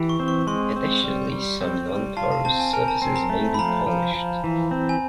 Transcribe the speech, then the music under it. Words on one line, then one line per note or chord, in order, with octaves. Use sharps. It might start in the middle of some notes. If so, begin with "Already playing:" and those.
Additionally, some nonporous surfaces may be polished.
Already playing: E3 G4
C#6
C4
C#6
G#3 C6
C4
G3
G3
C4
G3
F4 A5
A5
C4 A5
G#5
A#4 G#5
A5
C4
A#5
A3
B5
F3 A#5
F3
F3
E3
C4
G#5